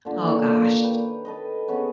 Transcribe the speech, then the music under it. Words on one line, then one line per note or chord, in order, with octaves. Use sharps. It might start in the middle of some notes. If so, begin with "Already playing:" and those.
Oh, gosh.
A#2 D3
D#3 A#3 C#5
B4 G5
A4 B4 D#5
B3 C#4 G#4 C#5